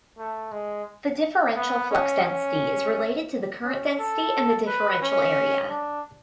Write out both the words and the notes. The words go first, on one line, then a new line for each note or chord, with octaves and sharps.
The differential flux density is related to the current density and the differential area.
A3
G#3
B3
C#4
C#4
C#4
A4
B4
C#4
D4